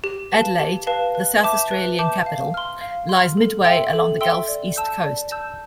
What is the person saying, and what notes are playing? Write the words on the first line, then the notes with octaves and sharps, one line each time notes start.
Adelaide, the South Australian capital, lies midway along the gulf's east coast.
G4
B4 F5 A5
G4
B4 F5 A5
B4
E5 A5 D6 G6
B4
E5 A5 D6 G6
F5
C6 F6
F5
C6 F6
A4
E5 G5 C6 E6
A4
E5 G5 C6 E6
D5
A5 E6 G6
D5
A5 E6 G6